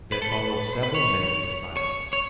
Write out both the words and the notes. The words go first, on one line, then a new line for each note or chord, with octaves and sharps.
There followed several minutes of silence.
B4
A4
B4
B4
C#5
C#5
C#5